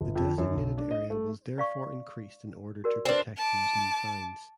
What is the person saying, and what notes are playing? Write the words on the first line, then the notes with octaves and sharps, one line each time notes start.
The designated area was therefore increased in order to protect these new finds.
G1
F2
F#2
B1
D4
D#5
A3
D5 F5 C#6
F#4 A#4 D5
C4 D4 B4 D5
A5 D6